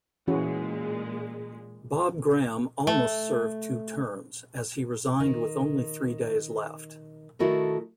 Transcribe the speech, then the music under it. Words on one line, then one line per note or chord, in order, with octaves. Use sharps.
Bob Graham almost served two terms, as he resigned with only three days left.
A#2 E3 G#3 C#4 F#4
A3
D#3
D#3 A3 E4 F#4 A4 A#4